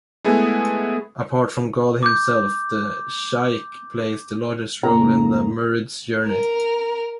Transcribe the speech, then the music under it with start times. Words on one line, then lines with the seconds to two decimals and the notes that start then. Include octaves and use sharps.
Apart from God himself, the "shaikh" plays the largest role in the "murid's" journey.
0.24 G#3 A3 B3 E4 G#4
2.03 D6 G6
4.83 F2 C#3 A#3 A#5
6.27 A#4